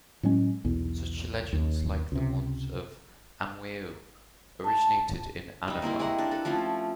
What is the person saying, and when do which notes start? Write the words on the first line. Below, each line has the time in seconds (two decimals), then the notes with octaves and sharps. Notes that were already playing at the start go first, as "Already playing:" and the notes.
Such legends like the ones of 'Amwieob' originated in Anabar.
0.23 A2 F#3 G#3 C#4
0.64 B1 E2
1.53 D#2
2.12 C#2 C3
4.65 A5
5.68 G3 D#4
5.82 A#3 C4 E4 A#4
5.99 G#3 G4 A#4 F#5
6.18 D4
6.31 A4 B4
6.45 F3 A3 C4 C#4